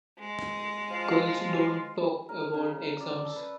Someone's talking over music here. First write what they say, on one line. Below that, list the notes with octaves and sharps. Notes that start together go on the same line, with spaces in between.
Girls, don’t talk about exams!
G#3
F3 F4
A#4
C#3
D5
A4
B4